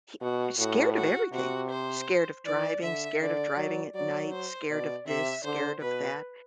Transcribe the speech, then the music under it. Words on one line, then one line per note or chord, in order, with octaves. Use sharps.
hi scared of everything. Scared of driving, scared of driving at night, scared of this, scared of that,
B2 F#4
A2 F#4
F#4
C3 F#4
C5
E3 D5
D3 E5
D3 D5
F#3
F#3 D5
C5
B2 D5
C3 E5
D3 C5
B2 B4